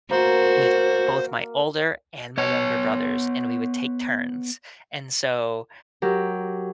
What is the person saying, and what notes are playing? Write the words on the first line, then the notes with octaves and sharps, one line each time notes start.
with, both, my older and my younger brothers," and we would take turns, and, so,
A#3 F#4 C5
B3 C#5
F#3 G4 A#4